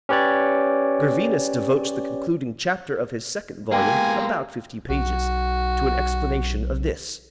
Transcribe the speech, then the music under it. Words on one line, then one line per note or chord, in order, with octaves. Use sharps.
Gervinus devotes the concluding chapter of his second volume, about fifty pages, to an explanation of this.
C#4 G4 B4 C#5 D5
G#3 A#3 B3 G4 G#5
B1 F#4